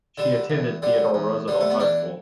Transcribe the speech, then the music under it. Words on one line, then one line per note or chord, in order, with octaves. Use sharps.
She attended Theodore Roosevelt High School.
D3 G3
E2
D3 G3
E2
D3 G3
A3
B3
E2 D4